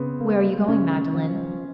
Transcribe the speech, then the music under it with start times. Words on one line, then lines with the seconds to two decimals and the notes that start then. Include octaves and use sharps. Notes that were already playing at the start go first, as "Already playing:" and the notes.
"Where are you going, Magdalen?"
Already playing: C#3 B3 C4
0.21 A#3
0.68 C#3 C#4
1.14 F3